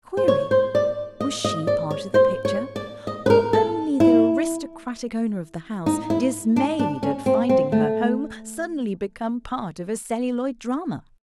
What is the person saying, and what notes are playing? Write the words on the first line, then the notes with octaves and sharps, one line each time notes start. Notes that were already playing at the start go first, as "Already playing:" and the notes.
Query, was she part of the picture, or only the aristocratic owner of the house, dismayed at finding her home suddenly become part of a celluloid drama?
C5
C#5
C5
D5
D#5
D#5
D5
C#5
C5
C#5
D5
D#5
B4
A#4
A4
E4
D#4
E4
D4
D4
C#4
C4
C4
A3